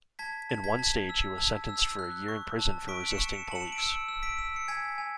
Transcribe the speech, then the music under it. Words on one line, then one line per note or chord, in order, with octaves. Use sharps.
In one stage he was sentenced for a year in prison for resisting police.
A5 G#6 B6
A5
G#6 B6
A5
E6
A5
E6
F#6
C#6
A5
C#6 B6 D7
D7
C#7 E7
C#6
C#7 E7
A5 F#7
C#7 E7
D7
E6 C#7 E7
E6
B6 D7
E6
C#7
G#5 G#6 B6
G#5